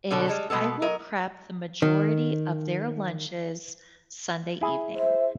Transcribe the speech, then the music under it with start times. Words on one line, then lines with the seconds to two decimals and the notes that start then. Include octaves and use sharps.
is I will prep the majority of their lunches Sunday evening.
0.11 B2 D3 G3 F#4 A4
0.28 G3 G#3 A5
0.50 B2 G#3 B3 A4
0.82 F#3 A#4 D#5
1.82 D#3
4.61 E4 G#4
4.95 C5 E5